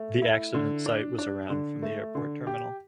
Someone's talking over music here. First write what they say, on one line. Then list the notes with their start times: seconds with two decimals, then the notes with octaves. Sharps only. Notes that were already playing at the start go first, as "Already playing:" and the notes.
The accident site was around from the airport terminal.
Already playing: A3
0.22 E4
0.54 D3
0.86 D4
1.18 D4
1.50 D3
1.82 A3
2.15 D3
2.47 G4